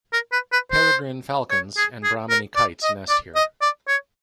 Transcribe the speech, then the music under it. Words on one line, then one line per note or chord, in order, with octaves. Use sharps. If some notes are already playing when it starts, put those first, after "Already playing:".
Peregrine falcons and brahminy kites nest here.
A#4
B4
B4
C5
C#5
G#4
G#4
A#4
D5
D#5
D5
D#5
D5
C#5